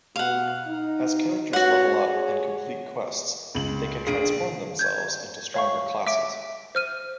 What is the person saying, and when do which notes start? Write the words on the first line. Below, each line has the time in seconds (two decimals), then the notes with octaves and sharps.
As characters level up and complete quests, they can transform themselves into stronger classes.
0.16 B2 F5 F#5
0.67 D#4
1.53 C#4 F#4 B4 C#5 F#5
1.95 G4 G#4 C#5
3.55 C#2 F#7
4.07 A#1 G#4 D7
4.79 G6 G#6
5.54 C#5 F5 C#6
6.07 E5 D6 D7
6.75 C5 F6 D#7